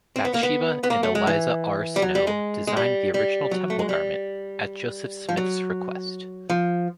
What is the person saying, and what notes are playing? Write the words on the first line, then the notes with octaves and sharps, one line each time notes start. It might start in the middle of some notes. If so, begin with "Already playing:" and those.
Bathsheba and Eliza R. Snow designed the original temple garment, at Joseph Smith's request.
C4
B3
A#3
B3
B3
A#3
A3
G#3
E3
G3
F#3
G3
G#3
G#3
G3
G3
F#3
A3
G#3
G3
F3
F#3
F3